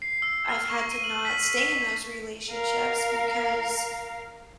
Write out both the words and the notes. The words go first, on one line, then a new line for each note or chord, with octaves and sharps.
I've had to not stay in those relationships, because
C7
E6
F6
C#6
D#7
F#7
B6
B6
A#4 F5